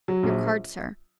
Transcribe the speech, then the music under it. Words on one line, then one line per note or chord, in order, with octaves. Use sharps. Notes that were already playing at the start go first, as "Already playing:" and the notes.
"Your card, sir."
F#3
A#1